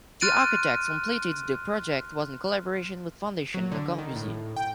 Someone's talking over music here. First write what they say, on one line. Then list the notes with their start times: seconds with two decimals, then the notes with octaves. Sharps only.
The architects completed the project was in collaboration with Fondation Le Corbusier.
0.21 C6 F6 F#6 A6 D7 D#7
3.54 F#3
3.71 D3
3.98 D#3
4.15 A2
4.56 G5